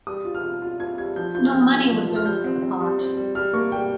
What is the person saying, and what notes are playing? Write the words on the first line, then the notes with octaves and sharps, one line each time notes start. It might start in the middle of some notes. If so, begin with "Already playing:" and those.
No money was earned for the pot.
G3 D#6
F4
F6
F4
F4
F4 G#6
G3 G#6
F3 G6
F4 G6
F6
F3 G6
F4 G#6
F3
F3
F6
G3 G6
C4
C4
G3
C4
G3
G3 F6
A#3 C#6
G3 G5